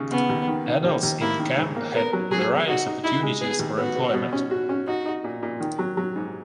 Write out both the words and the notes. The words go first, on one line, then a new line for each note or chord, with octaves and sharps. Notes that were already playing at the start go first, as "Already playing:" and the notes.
Adults in camp had various opportunities for employment.
Already playing: D#2 C#3
C#3 B3
D#2
D#3
D#3
D#2
D#2
A#3 E4
D#3
G#2
A#3
B3 A#4
F#3
F#3 G#4
B3
D#4 F#4
D#4
D#4 E4
G#3
B3 G#4
D#2
B3 F#4
B3
B2
C#4
F#4
C#4
D#4 F#4
D#4
A#2
A#2
D#3
F#3
F#3
G#2